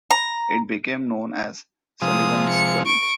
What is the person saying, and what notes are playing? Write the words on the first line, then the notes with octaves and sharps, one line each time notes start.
It became known as Sullivan's Gulch.
A#5
C3 F3 G#3 D#6
C#7
C#6 D7